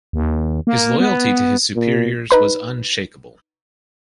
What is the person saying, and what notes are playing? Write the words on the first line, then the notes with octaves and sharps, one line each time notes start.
His loyalty to his superiors was unshakable.
D#2
A#3
B3
A#2
D#4 B4 B5